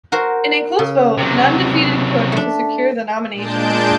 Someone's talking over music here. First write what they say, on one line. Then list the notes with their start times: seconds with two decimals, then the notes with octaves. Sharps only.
In a close vote, Nunn defeated Cook to secure the nomination.
0.12 F#4 A#4 C5
0.79 C#3
1.17 C3 F#3
2.32 A3 D4
3.33 A#2 G#3 D4 A5 G6 D7